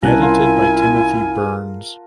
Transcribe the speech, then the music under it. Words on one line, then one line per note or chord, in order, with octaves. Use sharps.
Edited by Timothy Burns.
C2 C#4 E4 A#4 F#5 G#5 A5
F4
G#4